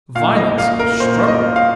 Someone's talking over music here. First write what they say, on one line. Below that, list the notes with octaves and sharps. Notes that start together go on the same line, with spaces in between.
"Violence! Struggle!"
A#2 F5
D#5
A#3 F5
A#4
A#2 C5
D#5
A#3
F5